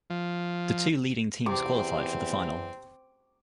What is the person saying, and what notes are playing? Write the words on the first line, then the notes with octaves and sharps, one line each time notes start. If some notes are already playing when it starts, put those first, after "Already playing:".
The two leading teams qualified for the final.
F3
E2 C3 C4 D6